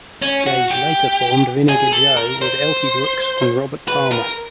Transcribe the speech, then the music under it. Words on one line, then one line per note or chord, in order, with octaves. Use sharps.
Gage later formed Vinegar Joe with Elkie Brooks and Robert Palmer.
C#4
F#4
G4
G#4
A4
A#4
C5
B4
A#4